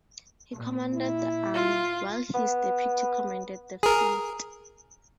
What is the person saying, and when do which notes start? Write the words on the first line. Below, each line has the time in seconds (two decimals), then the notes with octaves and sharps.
He commanded the army, while his deputy commanded the fleet.
0.52 A#2
0.94 E4
1.54 F4
2.34 B3
3.83 G#4 A#4